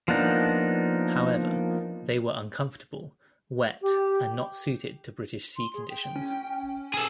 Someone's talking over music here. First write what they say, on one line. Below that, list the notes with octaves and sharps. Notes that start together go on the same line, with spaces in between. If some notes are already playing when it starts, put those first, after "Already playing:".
However, they were uncomfortable, wet and not suited to British sea conditions.
F3 A#3 B3 D4 D#4
G4
C6
G#4
G5
C#4
G#4 A4